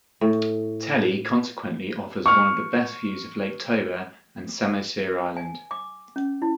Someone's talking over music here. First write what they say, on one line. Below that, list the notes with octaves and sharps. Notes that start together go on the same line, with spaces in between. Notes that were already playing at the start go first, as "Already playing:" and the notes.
Tele consequently offers one of the best views of Lake Toba and Samosir Island.
A2
C#6 F6
G#5
D6
C#4
E4